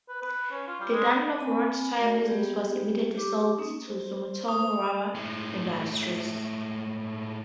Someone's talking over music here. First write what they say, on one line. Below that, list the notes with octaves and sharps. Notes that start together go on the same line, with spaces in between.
The Dunlop road tyre business was immediately sold to Sumitomo Rubber Industries.
B4
B4
C#4
F4
G3
G#3
C4 G#5 B5
A3 A#3 F#4 A#4 D5 F5
G3 B3 G4 G#4
G4 D6
A#3 C#4 D#4
C5
D#6
A2 G#3